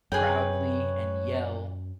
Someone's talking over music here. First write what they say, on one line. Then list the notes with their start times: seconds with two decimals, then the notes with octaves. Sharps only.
proudly and yell,
0.12 F#2 G#4 B4 C#5 G5